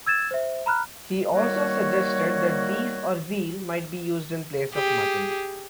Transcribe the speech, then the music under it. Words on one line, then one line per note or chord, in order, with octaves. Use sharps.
He also suggested that beef or veal might be used in place of mutton.
E6 G#6 A6 E7
C5 E5
A#5 B5 F6 F#6
D#3 G3 A#3 F#4 C#5
G4 G#4